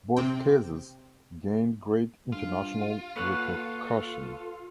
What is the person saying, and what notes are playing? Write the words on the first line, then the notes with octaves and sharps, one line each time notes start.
Both cases gained great international repercussion.
C3 C4 G5
G2 F4
A#2 A4 B4 C#5 F#5